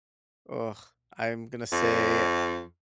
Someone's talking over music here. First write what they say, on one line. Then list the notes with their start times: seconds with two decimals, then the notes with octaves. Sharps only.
Ugh. I'm gonna say
1.72 F2